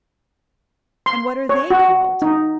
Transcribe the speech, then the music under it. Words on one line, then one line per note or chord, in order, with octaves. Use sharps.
"And what are they called?"
C6
C#5
F#4
D#4